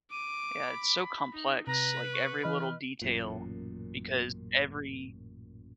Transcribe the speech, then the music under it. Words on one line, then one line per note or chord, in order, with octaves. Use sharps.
Yeah, it's so complex, like, every little detail, because every
D6 D#7
B5
D#4
C3 B4 A#5
C#6
E3 D#5 B5 F6
A1 F#2 A#2